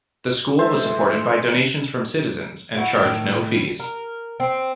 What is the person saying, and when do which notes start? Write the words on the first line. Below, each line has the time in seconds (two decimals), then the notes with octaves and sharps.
The school was supported by donations from citizens and charged no fees.
0.59 E3 G#3 A4 C5 E5
2.77 E4 F#4
2.95 A2 D#3
3.80 A#4
4.40 C4